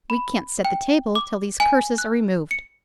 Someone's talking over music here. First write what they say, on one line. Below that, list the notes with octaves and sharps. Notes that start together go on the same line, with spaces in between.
We can't set the table till these curses are removed.
B5
G5
D6
G#5
F#6
C#7